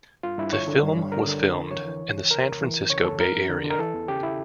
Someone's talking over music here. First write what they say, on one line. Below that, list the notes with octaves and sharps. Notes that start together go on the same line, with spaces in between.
The film was filmed in the San Francisco Bay Area.
G2 F4
G2 E4
D3 C#5
D3
G2
G2
D3 A#4
D3
F2
F2
E3 C#5
E3
E3
C#2
C#3 A#4
C#2
E3
D2
C#3 C#5
D2 A4
F2 A#4
F2
D3
D3
A#4
E3 A4
E2
C#3 G4
E4